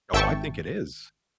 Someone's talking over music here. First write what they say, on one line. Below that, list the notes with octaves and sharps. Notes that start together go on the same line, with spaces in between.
Oh, I think it is.
G#1 E5 G5 A5 C#6